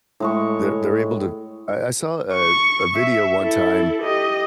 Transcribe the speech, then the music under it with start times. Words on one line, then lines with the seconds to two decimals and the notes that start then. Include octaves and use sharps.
they're they're able to I I saw, a a video one time
0.20 A2 G#3 C#6
2.33 C#6
2.95 E5
3.40 E4 A4
4.02 G4 D#5